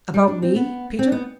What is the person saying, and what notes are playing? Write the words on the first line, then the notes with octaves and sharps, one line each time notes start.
"About me, Peter?"
G3
D4
C4
B3
C4
B3